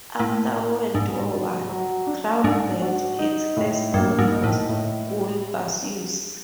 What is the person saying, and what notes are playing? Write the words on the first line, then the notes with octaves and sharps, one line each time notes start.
After World War One, Crown built its first body for school bus use.
A2 A#3
A#3
G#2 D4
F#4
F#3
D4
G#2 D4
F#4
D#4
A2
G2 A#3
G#2
D#4
A2
A2